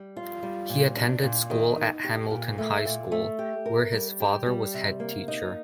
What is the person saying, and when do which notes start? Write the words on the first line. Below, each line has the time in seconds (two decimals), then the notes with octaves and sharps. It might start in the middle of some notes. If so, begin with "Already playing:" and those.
He attended school at Hamilton High School, where his father was head teacher.
Already playing: G3
0.16 F4
0.43 G3
0.69 A#2
0.96 D4
1.23 A#2
1.50 D#3
1.77 D#4
2.04 G4
2.31 A#2
2.58 A3
2.85 A#2
3.12 A3
3.39 G4
3.66 A#4
3.92 G3
4.20 G4
4.46 G3
4.74 C3
5.00 A#3
5.28 D#4